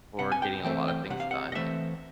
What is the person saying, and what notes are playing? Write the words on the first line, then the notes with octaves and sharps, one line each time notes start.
for getting a lotta things done and
C3 F#5
G#5
G5
E3 A3 C4 G5
G5
C3 F#5
F5
F#5
D#5
E3 A3 C4 E5